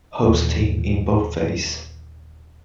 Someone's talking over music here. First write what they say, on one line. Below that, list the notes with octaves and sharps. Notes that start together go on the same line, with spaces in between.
Host team in boldface.
D#2 A#2 E3